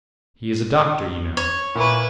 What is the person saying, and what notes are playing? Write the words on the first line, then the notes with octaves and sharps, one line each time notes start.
He is a doctor, you know.
C#5
A#2 E4 B4 C#6